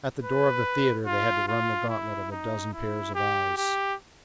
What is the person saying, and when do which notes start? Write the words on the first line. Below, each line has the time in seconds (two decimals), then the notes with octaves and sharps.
At the door of the theatre they had to run the gantlet of a dozen pairs of eyes.
0.23 B4
1.06 F4
1.48 F4
1.89 E4
2.31 D#4
2.73 E4
3.15 G4
3.57 G4